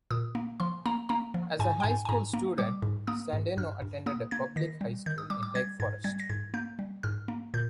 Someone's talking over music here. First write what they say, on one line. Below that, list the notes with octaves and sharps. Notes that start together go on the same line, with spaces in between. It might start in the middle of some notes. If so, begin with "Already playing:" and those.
As a high school student, Sandeno attended a public high school in Lake Forest.
A#2 D#6
A#3
F3 C6
A#3 A#5
A#3 A#5
F3
G#2 G#5
G5
G#2 G#5
G#5
G#2 A#5
A#3
G3 D6
G#2
A#3 D#6
G#2
G2 F6
G2
A#3 D#6
A#3 G#6
D#3 A#6
G3
D#3 G6
D#6
G3 D6
D6
G3 G#6
G#2 G#6
G3 G#6
A#6
G#2 G#6
A#3 G6
G3
G#2 F6
A#3
A#2 G6